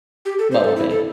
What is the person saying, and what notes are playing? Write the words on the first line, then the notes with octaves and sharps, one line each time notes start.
What would be?
G4
A4
C5
A4
E4
A4